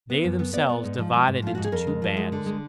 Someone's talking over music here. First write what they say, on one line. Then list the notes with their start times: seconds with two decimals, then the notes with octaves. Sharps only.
They themselves divided into two bands.
0.10 B3
0.24 F#2
0.39 B3
0.53 B3 D5
0.69 B3
0.84 G#2
0.99 F3
1.14 G#3
1.28 G#2
1.42 F3 F4
1.55 G#2 F#4
1.64 G#4
1.72 F2 A#4
1.87 G#3
2.02 F3
2.17 G#3
2.32 D3
2.46 G#3